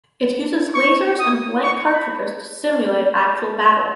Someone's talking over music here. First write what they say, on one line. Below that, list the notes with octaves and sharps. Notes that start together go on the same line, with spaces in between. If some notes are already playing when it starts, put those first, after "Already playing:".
It uses lasers and blank cartridges to simulate actual battle.
C#6
D#6
C#6
B5